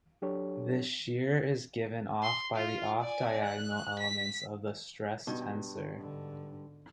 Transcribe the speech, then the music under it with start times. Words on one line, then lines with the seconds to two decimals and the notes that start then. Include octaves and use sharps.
This shear is given by the off-diagonal elements of the stress tensor.
0.22 F#3 D4 G4 A4 C#5
2.23 C6
2.56 F4
3.01 D5 G#5
3.42 F#6
3.99 B6
5.27 G2 B2
6.00 G#2 D3